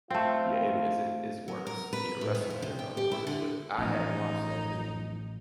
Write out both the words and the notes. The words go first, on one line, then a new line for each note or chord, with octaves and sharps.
Yeah. It is, i it's worse. Yeah, wrestling fans are the worst, but I hadn't watched that thing
A3 C4 F4
F#3
A#4
B4
A2
D#3
F3
C3
G5
G4
E4
D3
A1 F3 D#4